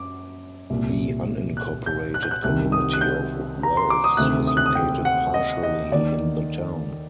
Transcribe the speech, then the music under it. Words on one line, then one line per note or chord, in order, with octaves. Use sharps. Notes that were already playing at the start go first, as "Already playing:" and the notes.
The unincorporated community of Wells is located partially in the town.
Already playing: F#2 D6
C2 A#2
F#6
G6
F#6
G6
F#6
C2 C3 D#3 F#6
D#6
F#6
G6
A#5
C6
D6
D#6
D2 C3 D#3 F#6
D#6
F#6
D#6
G5
F#5
D#5
D#5
D#2 D#3 D5